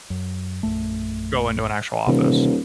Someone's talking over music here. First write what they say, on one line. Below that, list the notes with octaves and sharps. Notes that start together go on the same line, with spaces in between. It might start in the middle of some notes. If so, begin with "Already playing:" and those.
go into an actual office?
F#2
A#1 F#2 A3
D#1 C3 E3